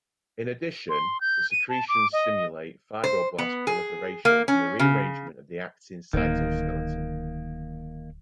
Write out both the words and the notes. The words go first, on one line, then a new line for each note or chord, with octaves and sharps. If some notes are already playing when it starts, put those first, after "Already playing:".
In addition, the secretions stimulate fibroblast proliferation and rearrangement of the actin cytoskeleton.
C6
G6
D#7
A5
D6
D#5
C5
B3
G#4
A#3
C#4
C#3
D1 D#3 A#3